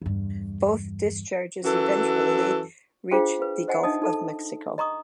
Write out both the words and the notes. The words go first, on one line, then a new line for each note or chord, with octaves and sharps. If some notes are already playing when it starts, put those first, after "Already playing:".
Both discharges eventually reach the Gulf of Mexico.
E2 G2
F#2 E3 F#4 A4
D4 F4 G#4 C5 F5 G5
B4 F5
C5 D#5 F#5 G#5
D4 D#4 D#5 E5 A5 D#6
D#4 A4 A5
D#5 A#5 C#6 D#6